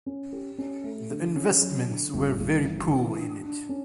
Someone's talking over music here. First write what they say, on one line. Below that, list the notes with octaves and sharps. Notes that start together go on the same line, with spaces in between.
The investments were very poor in it.
C#4
G4
C#4
A3
D3
C#4
F#3
D3
G1
G1
E3
E3
D4
D4
C#4